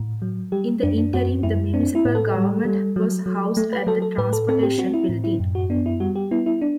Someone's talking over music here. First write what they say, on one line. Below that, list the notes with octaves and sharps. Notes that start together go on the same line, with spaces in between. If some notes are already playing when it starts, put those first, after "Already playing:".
In the interim the municipal government was housed at the Transportation Building.
Already playing: A2
F#3
G3 G4
F#2 D4
D4
F#2 F#4
F#2 E4
C4 D4
E4
A2
A4
G3
G3
F#3
F#3
A3
B4
F#3 A4
A4
A2 B4
A4
C4 A4
G4
C4 F#4
E4
A2
E4
F#2
F#4
B3 D4
E4
G3 F#4
G4
B3 E4
E4
D4